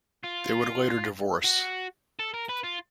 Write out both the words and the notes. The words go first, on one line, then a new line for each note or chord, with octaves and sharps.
They would later divorce.
F4
F#4
A4
A#4
B4
F4